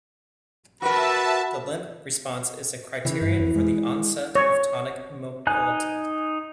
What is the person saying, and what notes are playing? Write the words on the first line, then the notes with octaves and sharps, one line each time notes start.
The "limp" response is a criterion for the onset of tonic immobility.
F#4 A#4 B4 E5 A5
C#3 E3
G2
F2
G#3
C#5
D#4 G#5 F#6